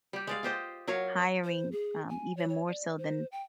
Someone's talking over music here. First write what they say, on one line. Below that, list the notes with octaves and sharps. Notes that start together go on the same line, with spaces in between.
hiring, um, even more so than
G3 G4
G#3 D5 F5
F4 G4 C5 D#5
F#3 A#4 C#5 F5
C5
G#4
G#5
C#5
C#5
D5
C5
G5